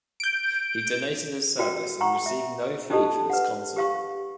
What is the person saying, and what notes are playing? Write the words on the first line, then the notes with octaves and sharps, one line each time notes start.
He donated his services and received no fee for this concert.
G6 D7
F#4 A#4 G5
F#5 G5 A#5 C#6
E5
D4 D#4 G4 A4 D#5 A5
B4 F#5
G4 F5 C#6